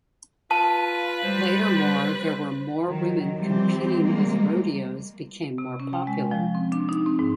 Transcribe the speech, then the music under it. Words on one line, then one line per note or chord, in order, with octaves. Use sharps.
Later more there were more women competing as rodeos became more popular.
F4 B4 A5
G3 C5
D#3 F#3
E3 F3 G3 C4 G4
G3 G#3 A#3
C3
C#4
G5
G#3
F3
C4
D4
D#4
C4
G#2